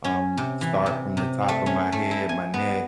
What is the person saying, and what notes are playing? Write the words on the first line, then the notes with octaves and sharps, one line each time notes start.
Um, start from the top of my head, my neck,
C#4
C3
E3
C3
C3
A3
C#4
A3
E4
G#5
B3